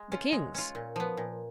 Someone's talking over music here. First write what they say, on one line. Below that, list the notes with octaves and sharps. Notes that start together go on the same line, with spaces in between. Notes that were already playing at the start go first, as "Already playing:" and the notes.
The king's.
Already playing: G#3
C#4 F4
G#3
C#4 F4
A#2
F3 B3
A#2